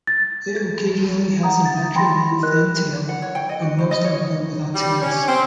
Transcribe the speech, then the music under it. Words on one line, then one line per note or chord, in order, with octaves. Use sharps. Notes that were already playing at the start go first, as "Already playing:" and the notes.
It occasionally has a natural long thin tail, but most are born without tails.
A6
G#4
F#5 A#5 D#6
A6
G5 B5 C6 A6 A#6
E4
A#4 D#5 F#6
F#5
C#5
G5
D#5
F#4
C5
D#5
C#5
G3
C#4
C4